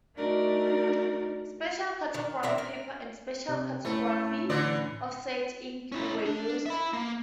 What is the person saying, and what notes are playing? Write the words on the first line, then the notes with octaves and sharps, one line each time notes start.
Special cartographic paper and special cartographic offset ink were used.
A3 D4 D#4 F#4 A#4 D5
D#3
C4 D4 A#4 E5
A#4
C3
A2 A3 C#4 E4
D3 E3 D5
C#4 E4
D4
E5 B5
A#3